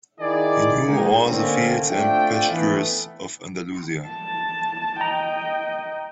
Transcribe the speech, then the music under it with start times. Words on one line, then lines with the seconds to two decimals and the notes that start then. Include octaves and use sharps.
He knew all the fields and pastures of Andalusia.
0.21 D#3 D#4 E4 G#4 D5
0.87 G#3 A#3 D#4
1.25 D3 A3 A#3 C4 C#4
1.90 A3 C4 D4 F4 E5 G5
2.50 E3 A3 B3
4.08 A5
5.01 D#5 G5 A#5